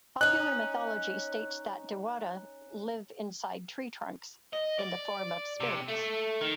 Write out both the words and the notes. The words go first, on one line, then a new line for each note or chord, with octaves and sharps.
Popular mythology states that "diwata" live inside tree trunks, in the form of spirits.
C#4 D#4 F#6
D#5
D5
C3
A3
D#3